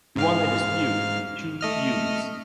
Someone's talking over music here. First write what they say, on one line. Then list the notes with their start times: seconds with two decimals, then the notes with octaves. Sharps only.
He won the dispute in two feuds.
0.16 G#2 F5 F6
1.61 A3 D#5 F6